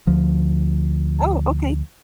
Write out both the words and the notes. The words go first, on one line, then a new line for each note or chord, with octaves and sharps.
Oh, okay.
D2 F3